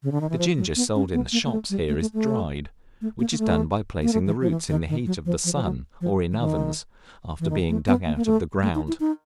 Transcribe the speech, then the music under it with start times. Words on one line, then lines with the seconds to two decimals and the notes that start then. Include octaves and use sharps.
The ginger sold in the shops here is dried, which is done by placing the roots in the heat of the sun or in ovens, after being dug out of the ground.
0.03 C#3
0.12 D3
0.21 D#3
0.30 E3
0.39 F3
0.57 F#3
0.76 B3
0.95 C#4
1.13 B3
1.32 A#3
1.45 A#3
1.51 A3
1.70 G3
1.88 A3
2.01 A3
2.14 A3
3.01 A3
3.19 A#3
3.32 A#3
3.38 A3
4.03 A#3
4.13 A3
4.26 E3
4.41 F3
4.50 E3
4.69 D#3
4.88 D#3
5.06 F#3
5.25 F3
5.44 F3
5.55 F3
5.63 F#3
6.01 F3
6.31 E3
6.38 D#3
7.40 E3
7.50 D#3
7.69 A3
7.87 B3
8.06 A#3
8.16 A#3
8.25 A3
8.62 A3
8.75 D#4
8.88 E4
9.00 D#4